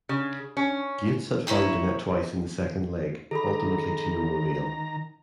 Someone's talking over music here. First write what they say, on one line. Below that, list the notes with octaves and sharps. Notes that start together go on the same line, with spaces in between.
Gates had found the net twice in the second leg, ultimately to no avail.
C#3
C#4
D#4 E4 C5 C#5
D#3 G#4 A4 A#5 B5